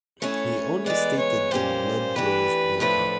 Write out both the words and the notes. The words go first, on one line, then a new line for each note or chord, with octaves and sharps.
He only stated the blood bros broke up.
E3 A3 C#4 C#5
E3 G#3 B3 D5
C#5
A#2 G3 A#3 C#4 C5
E3 A3 D4 G4 B4
A2 F3 A3 D4 B4